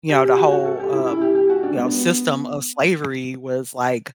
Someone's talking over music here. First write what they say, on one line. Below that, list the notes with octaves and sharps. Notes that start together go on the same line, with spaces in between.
you know, the whole, um, you know, system of slavery was, like,
G4
G4
F#4
F#4
A4
G4
E4
E4
G4
G4
F#4
D4
B3